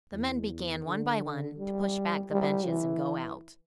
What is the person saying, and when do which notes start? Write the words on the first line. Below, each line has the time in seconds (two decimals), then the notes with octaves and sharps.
The men began, one by one, to push back the benches and go out.
0.13 E2
0.86 D3
1.58 G3
2.31 G3
2.67 E3